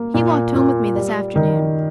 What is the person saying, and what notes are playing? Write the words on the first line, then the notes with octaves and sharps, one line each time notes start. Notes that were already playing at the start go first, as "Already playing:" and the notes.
He walked home with me this afternoon.
Already playing: A#3
A#2
A#2
G3
D#3